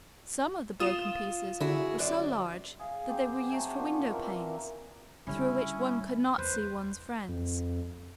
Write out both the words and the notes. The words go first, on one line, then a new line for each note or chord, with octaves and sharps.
Some of the broken pieces were so large that they were used for windowpanes, through which one could not see one's friends.
F4 D#6 D#7 E7
D3 E4 F#4 G#4
F#2 D5
G#4 F5
F#3 C4 G4 G#4
C5 D6
F#3 A3 G#5
D#3 F3 C#4 D4
E3 A#3 C4 A#4
D3 G3 C#4 E4
E2 B4 C5
F2